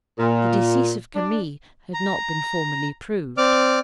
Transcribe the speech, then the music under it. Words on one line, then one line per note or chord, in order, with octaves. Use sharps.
The decease of Camille had not been formally proved.
A#2
D4
A#5
C4 D5 D6 F6